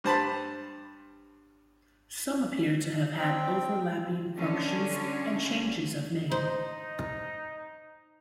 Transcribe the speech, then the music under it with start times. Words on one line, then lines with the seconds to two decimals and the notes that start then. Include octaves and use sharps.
Some appear to have had overlapping functions and changes of name.
0.04 G2 C5 A5 B5
3.18 C4 G5
4.35 D3 C#4
6.31 D#4 C5